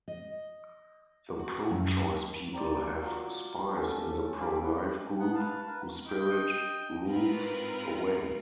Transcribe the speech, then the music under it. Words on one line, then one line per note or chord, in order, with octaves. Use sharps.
The pro-choice people have "spies" in the pro-life group who spirit Ruth away.
D#5
F#4
F#2
D5 G5 A#5
F#3 F4
C#4 G4 A4
A4 C#5
C#4 F5 B5 D6
B4 C#5 G5 B5
B3 F#5
B4 F5 A5
A#4 B4
D#5 G5
G#2 C4 F4 A#4 B4